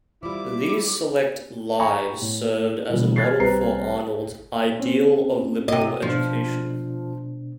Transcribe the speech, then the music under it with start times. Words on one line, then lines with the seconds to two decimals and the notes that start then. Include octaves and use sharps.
These select "Lives" served as a model for Arnold's "ideal of liberal education".
0.23 F3 G3 E4 D6
1.80 G5 G#5 A#5 B5 C#6
2.22 A2
2.90 B2 D3 E3 F3 G3
3.16 F6 F#6 G#6 A6 B6 C7
3.40 C2 B4 C5 A#5 C7
4.79 C4 C#4
5.68 C3 F#4 D#5
6.02 B2 F3 D4